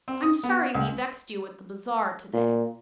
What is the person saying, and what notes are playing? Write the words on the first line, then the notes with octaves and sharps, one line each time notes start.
I'm sorry we vexed you at the bazaar to-day.'
C4
D#6
B3
F#5
C#2
A#2